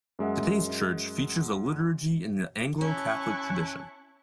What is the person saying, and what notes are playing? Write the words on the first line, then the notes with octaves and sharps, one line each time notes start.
Today's church features a liturgy in the Anglo-Catholic tradition.
F#2 G#3 E5 F#5
C#4 E4 G#5 A5 C#6 F#6